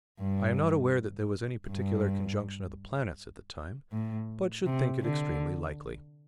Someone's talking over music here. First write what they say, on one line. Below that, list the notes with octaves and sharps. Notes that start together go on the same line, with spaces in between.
I am not aware that there was any particular conjunction of the planets at the time, but should think it extremely likely.
G2
G2
A2
C3
D3